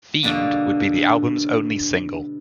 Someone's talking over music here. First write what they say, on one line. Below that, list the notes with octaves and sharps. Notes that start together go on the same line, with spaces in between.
"Fiend" would be the album's only single.
B2 D3 G3 A#3